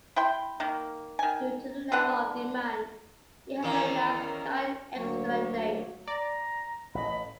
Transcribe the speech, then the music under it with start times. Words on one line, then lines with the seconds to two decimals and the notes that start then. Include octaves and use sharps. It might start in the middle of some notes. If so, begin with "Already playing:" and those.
Due to the level of demand, he had to announce nine extra dates.
0.16 E4 G5 C6
0.60 D#3 A#3
1.19 D#3 G#5
1.92 D3 E3 F#5
3.63 E2 D#3 A#3 C#4 A#4
4.95 D2 F#3 A#3 C#5
6.08 D5 A#5
6.95 A1 D#5 B5